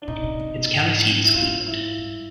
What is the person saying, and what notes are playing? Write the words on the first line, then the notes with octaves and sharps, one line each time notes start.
Its county seat is Cleveland.
D4
C3 D#4
C3
C3
B2
G#2
E4
G#2 F4
E4
G2